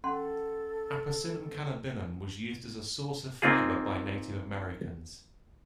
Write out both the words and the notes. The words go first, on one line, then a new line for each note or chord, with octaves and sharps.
"Apocynum cannabinum" was used as a source of fiber by Native Americans.
C#4 A4 F#5 C6
A#3 C4 D#4 F4 G#4